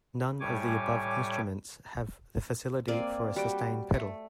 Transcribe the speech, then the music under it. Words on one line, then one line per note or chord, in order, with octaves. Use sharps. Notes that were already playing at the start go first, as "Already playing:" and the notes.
None of the above instruments have the facility for a sustain pedal.
A2 G3 C#5 G#5 D6
A#3 C4 D5 G#5
G3 F#4 G5
A3